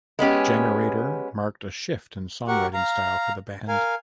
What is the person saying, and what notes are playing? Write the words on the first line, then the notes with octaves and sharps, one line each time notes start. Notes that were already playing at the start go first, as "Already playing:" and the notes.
"Generator" marked a shift in songwriting-style for the band.
G#3 B3 C#4 G4
F#4 G4 A#4 F#5 C#6
F5 A#5
A#4 F5 G#5